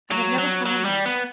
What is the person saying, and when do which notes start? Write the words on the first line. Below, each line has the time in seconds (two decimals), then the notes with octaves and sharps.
I have never found one.
0.12 F#3
0.38 F#3
0.66 F#3
0.85 G3
1.06 B3